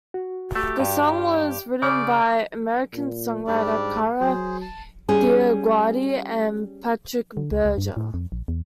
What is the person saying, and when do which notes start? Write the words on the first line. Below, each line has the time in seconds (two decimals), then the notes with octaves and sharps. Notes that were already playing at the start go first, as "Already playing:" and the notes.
The song was written by American songwriter Kara DioGuardi and Patrik Berger.
0.14 F#4
0.56 A3 G4
0.79 G2
1.82 C#3 D5 D6 F6 G6
2.93 A#2
3.47 G#2 G3 D4 D5
4.21 F#3 G#4 C5
4.61 A5
5.08 G3 C#4 G#4
7.37 D3
7.51 C#2
7.65 C#2
7.78 G2
7.97 A2
8.14 F2
8.32 A#1
8.48 E2